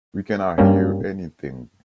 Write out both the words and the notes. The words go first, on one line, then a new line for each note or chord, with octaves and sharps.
We can not hear anything.
G2 G3 A#3 C#4